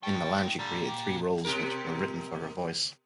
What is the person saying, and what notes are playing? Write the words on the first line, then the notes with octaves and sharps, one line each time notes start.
In Milan she created three roles which were written for her voice.
G3 D#4 G5 A5 C#6
A#2 D3 G3
G4
B2 G4 A#4